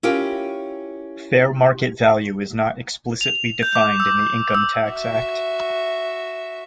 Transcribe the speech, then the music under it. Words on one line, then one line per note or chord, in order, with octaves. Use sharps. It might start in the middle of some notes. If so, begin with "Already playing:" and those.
Fair market value is not explicitly defined in the Income Tax Act.
C#4 E4 F4 G4 A#4 G5
F7
G6
D6
E6
E6
F#4 E5